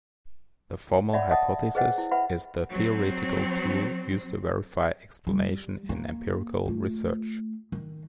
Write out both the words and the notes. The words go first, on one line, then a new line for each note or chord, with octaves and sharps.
The formal hypothesis is the theoretical tool used to verify explanation in empirical research.
C#5 D5 E5 F#5 G5 B5
D#5 E5 F#5 G5 A5 D#6
G#4 B4 C5 D#5 F#5 G5
E4
B4 E5 F#5 B5
F#3 C4
G3
A#3
A3 F4
D#3